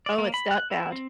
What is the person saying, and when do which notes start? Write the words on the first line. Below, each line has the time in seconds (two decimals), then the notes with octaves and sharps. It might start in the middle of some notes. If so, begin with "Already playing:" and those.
Oh, it's that bad?
0.06 D5
0.18 A#3
0.34 B5
0.51 F#6
0.70 E4
0.92 C4